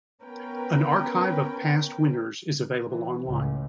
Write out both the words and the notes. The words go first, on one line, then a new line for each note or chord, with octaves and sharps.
An archive of past winners is available online.
B3 C#4 A#4 B4 G5
E3
C#2 A2